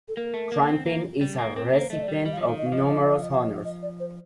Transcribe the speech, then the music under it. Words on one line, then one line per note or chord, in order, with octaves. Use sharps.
Trimpin is a recipient of numerous honors.
A4
A#3 A#4
A3
A#3
C4
A#3
G3
A#3
C4 A#4
A#3
C5
A3 D#5
D5
G3
G3 D#5
F5
F3 D#5
D#3 F5
D#5
F5
F3 D#5
F5
D#5
F5
D#5
F5
D#5
F5
D#5
D#5
D5
C5